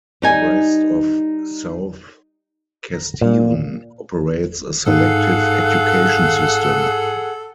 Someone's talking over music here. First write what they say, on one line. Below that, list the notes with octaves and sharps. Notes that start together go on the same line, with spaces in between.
The rest of South Kesteven operates a selective education system.
G3 D#4 G#5
A#5
A#2
G#2 D#4 G#4 A4 F5 F#5 F#6